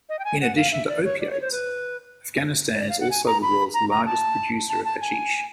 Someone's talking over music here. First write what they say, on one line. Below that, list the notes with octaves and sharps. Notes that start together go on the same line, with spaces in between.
In addition to opiates, Afghanistan is also the world's largest producer of hashish.
D#5
G5
G#5
F#5
F5
E5
D5
C#5
D5
C#5
C5
B4
C#5
D5
F5
F#5
G#5
A#5
B5
A#5
A#5
A5
A5
A5
G#5